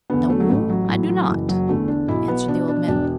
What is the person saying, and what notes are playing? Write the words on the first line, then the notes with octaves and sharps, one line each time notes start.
'No, I do not,' answered the old man.
E2 D3 B3
A3
F#3
A1 A3
F#3
A2 E3 F#3
F#3
F#1 E3
F#3
E2 D3 A3
D4
B1 E4
B3
B2 D4
D4
E1 D4